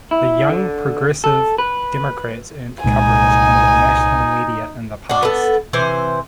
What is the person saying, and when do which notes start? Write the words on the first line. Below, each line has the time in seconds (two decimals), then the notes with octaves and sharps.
The Young Progressive Democrats earned coverage in the national media in the past.
0.11 E4
0.49 D3
1.24 A4
1.58 B4
2.84 C2 A#2 G#3 D#4 G#5
5.09 D4 F#4
5.23 B3 A4
5.73 C3 E3 C5